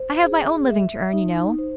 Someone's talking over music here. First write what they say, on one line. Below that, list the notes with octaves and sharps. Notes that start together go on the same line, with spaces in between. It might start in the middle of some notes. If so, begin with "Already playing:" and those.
I have my own living to earn, you know.
Already playing: C5
G#4
E5
D#4
C5